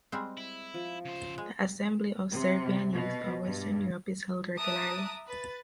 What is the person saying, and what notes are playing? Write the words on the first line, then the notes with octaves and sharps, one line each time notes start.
The Assembly of Serbian Youth of Western Europe is held regularly.
G3 G#3 C4
E4
F3
C#3 C5
G#3 G#4
C3
B2
G2
E5 A5 A#5 D6 D#6 F#6
B4 A6